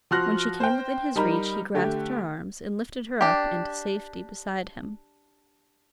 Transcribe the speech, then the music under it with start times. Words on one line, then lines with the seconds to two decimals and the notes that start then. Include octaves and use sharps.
When she came within his reach he grasped her arms and lifted her up into safety beside him.
0.11 F3 F#4 C6 F6 F#6 A#6
0.60 C5 G5
1.16 G3 D#4 A#4 A#5 B5
1.74 D3 A3 G4
3.21 D4 G4